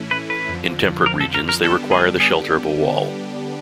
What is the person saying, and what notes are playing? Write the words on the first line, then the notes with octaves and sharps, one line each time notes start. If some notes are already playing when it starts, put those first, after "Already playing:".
In temperate regions they require the shelter of a wall.
Already playing: A2 E3 A3 C#4 E4
B4
B4
F2 D3 F3
A#4
A4
A#4
A#4
D3 G3 B3 D4 G4 A4
G#4
G#4